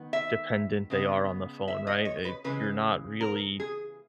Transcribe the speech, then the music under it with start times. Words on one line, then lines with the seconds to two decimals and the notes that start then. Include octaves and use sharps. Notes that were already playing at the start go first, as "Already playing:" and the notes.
dependent they are on the phone, right? It You're not really
Already playing: D#3 B3
0.13 E5
0.90 C#3 G#3 B3
1.68 E5
1.87 D#5
2.05 C#5
2.25 B4
2.44 C#3 E3 G#3 B4
3.21 A#4
3.60 G#4